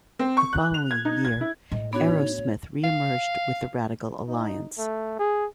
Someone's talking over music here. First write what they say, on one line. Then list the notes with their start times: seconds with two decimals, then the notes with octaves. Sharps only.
The following year, Arrowsmith re-emerged with the Radical Alliance.
0.19 C4
0.37 C#6
0.53 F#6
0.74 F7
0.91 G#6
1.05 D#4
1.25 G#6
1.41 E4
1.72 A2 D#5
1.93 B3 D4 D#4 F#4 C#5
2.84 F5
4.28 D#4
4.78 A3
5.19 G#4